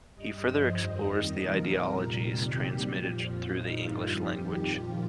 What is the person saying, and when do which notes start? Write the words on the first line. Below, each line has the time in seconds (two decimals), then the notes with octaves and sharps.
He further explores the ideologies transmitted through the English language.
0.13 G2 G3 D#5
0.43 G2 F3 C5
0.73 F2 D#3 G3 D#5
1.03 F2 D#3 G3 D#5
1.34 A#2 F3 A#4
1.64 F2 C3 G3
1.94 A#2 G3
2.24 F2 C3 D#3 G3 G4
2.55 A#2 G3
2.85 A#2 F3
3.15 F2 F3 F4
3.46 A#2 G3 D#4
3.75 G2 D#3 G3 F4
4.06 F2 F3 G4
4.36 F2 D#3 G3
4.66 A#2 F3 F4